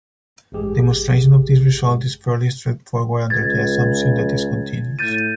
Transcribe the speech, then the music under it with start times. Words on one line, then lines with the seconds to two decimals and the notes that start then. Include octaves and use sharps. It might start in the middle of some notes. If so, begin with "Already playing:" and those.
Demonstration of this result is fairly straightforward under the assumption that is continuous.
0.52 A1 G2 G#3 G4 G#4
3.30 C#2 G#6 A6
4.99 A2 G6 A6 D#7